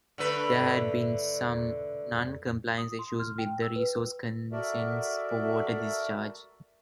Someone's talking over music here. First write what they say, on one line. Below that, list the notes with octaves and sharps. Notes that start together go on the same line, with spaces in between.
There had been some non-compliance issues with the resource consents for water discharge.
D3 A3 B4
D#6
C6
F6
G5
E6
B4
F#4 A4 A#4 D5 E5